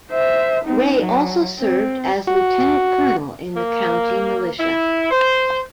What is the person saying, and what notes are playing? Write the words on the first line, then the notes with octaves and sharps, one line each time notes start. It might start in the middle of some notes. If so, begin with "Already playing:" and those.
Ray also served as lieutenant-colonel in the county militia.
C5 E5
C4 D#4
F#3
C4
F#4
A#3
E4
C5